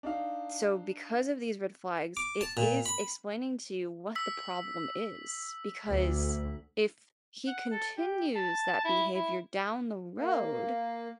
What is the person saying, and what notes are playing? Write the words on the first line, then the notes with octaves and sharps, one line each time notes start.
so, because of these red flags, it is explaining to you what the problem is. Because if he continues that behavior down the road
D4 D#4 F5
D6
A5
A#2
B5
E6 B6
D2
F#5
A4
G4
A5
E4
E4
A#3